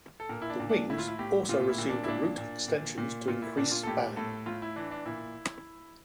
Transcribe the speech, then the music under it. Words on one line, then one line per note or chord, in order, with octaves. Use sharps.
The wings also received root extensions to increase span.
A4
A#2 A#4
E4
D4
A#2
D4
A2 E4
F4
E4
A2 G4
A#2 F4
E4
A#2
D4
E4
A#2 D4
A#2
A#2
A#2
A#2 F4
E4
A#2 D4
F4
A4
A2 G4
A2 A4
A2 F4
E4
E3 D4
D4
A#2 E4